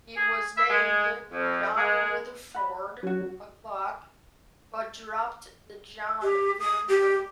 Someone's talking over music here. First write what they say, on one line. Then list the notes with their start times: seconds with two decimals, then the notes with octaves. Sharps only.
He was named John Rutherford Alcock, but dropped the John very early.
0.15 G#4
0.57 E5
0.70 G#3
1.31 F2
1.76 G#3
2.55 F#5 B5
3.03 F#3 C#4 F#4
6.22 G4
6.60 D#6
6.88 G4